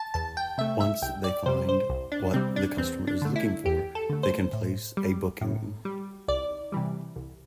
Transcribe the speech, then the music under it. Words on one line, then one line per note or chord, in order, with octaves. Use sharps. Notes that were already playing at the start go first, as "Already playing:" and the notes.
Once they find what the customer is looking for they can place a booking.
Already playing: A5
E2 A5
G5
C3 A3 E5
E5
C2 G5
D5
C3 G3 C5
C5
C2
D4
C3 G3 C4
D4
E2 C4
D4
D3 A3
E4
E2 G4
A4
D3 A3
C5
A2
G3
A2
G3
C2 D5
C3 E3 G3
C2